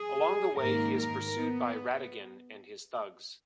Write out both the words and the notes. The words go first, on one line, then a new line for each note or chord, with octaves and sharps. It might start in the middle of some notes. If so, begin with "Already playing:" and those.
Along the way he is pursued by Ratigan and his thugs.
Already playing: G#4
G#2 D#3 A#3 A#4
A#4
B3